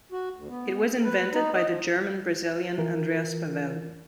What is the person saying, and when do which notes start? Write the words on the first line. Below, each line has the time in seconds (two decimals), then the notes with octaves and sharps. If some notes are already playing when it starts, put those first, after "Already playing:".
It was invented by the German-Brazilian Andreas Pavel.
0.12 F#4
0.36 D2
0.49 B3
1.04 B4
1.33 D#4
1.54 D#5
1.68 F3
2.78 E3 F4 A#4